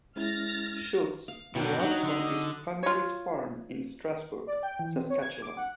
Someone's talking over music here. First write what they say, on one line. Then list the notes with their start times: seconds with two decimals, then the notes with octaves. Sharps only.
Schultz grew up on his family's farm in Strasbourg, Saskatchewan.
0.16 G#3 C#4 E4 F6 A6 A#6
1.28 F5
1.55 B2 D3 F#3 G5 C#6
1.80 F#3 D4 D#4
2.04 D3
2.20 D#5
2.83 F4 C#5
4.47 D5
4.63 G5
4.79 E3
4.96 C4
5.10 C#5
5.22 G#6
5.42 D6
5.57 F#5